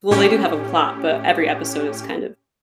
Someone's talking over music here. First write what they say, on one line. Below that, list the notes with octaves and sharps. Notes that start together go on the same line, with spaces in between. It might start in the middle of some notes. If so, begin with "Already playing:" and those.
Well, they do have a plot, but every episode is kind of
A2 C#4 G4